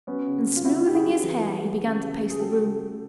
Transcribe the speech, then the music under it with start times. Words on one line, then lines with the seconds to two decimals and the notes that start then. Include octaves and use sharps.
And smoothing his hair he began to pace the room.
0.07 F#3 B3 C#4
0.27 C#3
0.46 C#3
0.56 F4
0.65 C#3 E4 F#4
0.85 C#3 G4
0.95 F#4 G#4
1.04 F#3
1.23 E3
1.43 G3
1.62 G3
1.82 C#3
2.01 C#3
2.20 G3
2.30 G#4
2.39 F#3 G4 A4
2.59 C#3
2.78 C#3